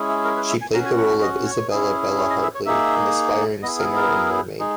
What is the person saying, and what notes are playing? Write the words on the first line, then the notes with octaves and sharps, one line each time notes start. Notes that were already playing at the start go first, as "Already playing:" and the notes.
She played the role of Isabella 'Bella' Hartley, an aspiring singer and mermaid.
Already playing: G#3 C#4 E4 G#4
E5
A#4
B4
E5
G#5
C#4 F#4 A#5
G#5
F#5
D#5
C#5
C#4 E4 G#4
C#5
D#5
E5
C#5
A#3 D#4 G#4 E5
B3 E4 G#4 D#5
A#4
A#4
G#3 D#4 G#4